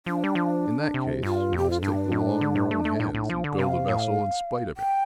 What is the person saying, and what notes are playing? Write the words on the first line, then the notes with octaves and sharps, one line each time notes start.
"In that case, you must take the law in your own hands, and build a vessel in spite of him."
F3 D4
G3
F3
C3
G2 F4
F2 G4
F4
G2 D4
A2
D3
A2
A3
A3
A2
A2
F3
D3
C3 F5
A2
G5